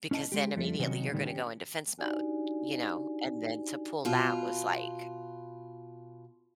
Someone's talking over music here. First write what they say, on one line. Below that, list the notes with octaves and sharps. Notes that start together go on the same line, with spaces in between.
Because then immediately, you're gonna go in defense mode, you know? And then to pull that was, like
C#4 E4 D#5 A5
G#3 G4
F2 F3 G3 A3
C3 D#3 F#3 C#4 D#4 F#4
A2 D3 D#3 G3 B3
C#4 G4
D4 D#4 F#4 G4 D5 G#5
B2 F4